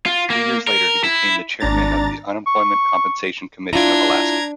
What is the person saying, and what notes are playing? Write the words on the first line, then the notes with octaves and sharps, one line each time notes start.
Three years later he became the chairman of the Unemployment Compensation Commission of Alaska.
F4
A#3
A#4
E4
G#1 D4 A#5 A6
C#6
D4 E4 F4 A#5 G#6